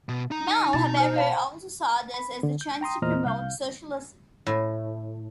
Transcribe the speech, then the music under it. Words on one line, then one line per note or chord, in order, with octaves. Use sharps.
Mao, however, also saw this as the chance to promote socialism.
B2
D#4 A#5
B2 A5 A6
C5 F6
F5 A5 B5
B5
D3
G6
G5 A#5 C6 D#6
E2 A#2 C5 D#5 A#5 F6
C2 F5 G6
A2